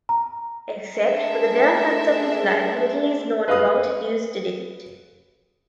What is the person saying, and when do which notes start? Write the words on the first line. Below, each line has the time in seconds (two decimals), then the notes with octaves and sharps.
Except for the bare facts of his life, little is known about Deusdedit.
0.09 A#5
0.96 A3 D4 G#4 A#4 C5 E5
3.48 B4 F5 D#6